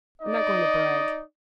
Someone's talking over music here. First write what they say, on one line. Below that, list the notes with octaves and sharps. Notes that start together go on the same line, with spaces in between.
I'm not going to brag.
D#4 D5 D#5